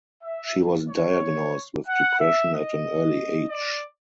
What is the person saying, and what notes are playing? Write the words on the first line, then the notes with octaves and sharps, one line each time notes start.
She was diagnosed with depression at an early age.
E5
C#5
F#5
E5
D#5
D5